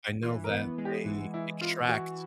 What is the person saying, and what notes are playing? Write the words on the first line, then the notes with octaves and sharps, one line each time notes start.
I know that they extract,
E3 F4
A#4
B3
G#3
G4
E3
E3 E4
B3 F4
E3 F#4